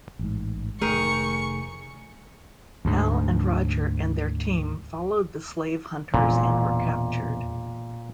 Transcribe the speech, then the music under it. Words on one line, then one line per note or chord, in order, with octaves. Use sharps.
Hal and Roger and their team followed the slave hunters and were captured.
A1 G#2
F1 D#3 A3 G#4 A#4 C#6
D2 G#2
E1 A#2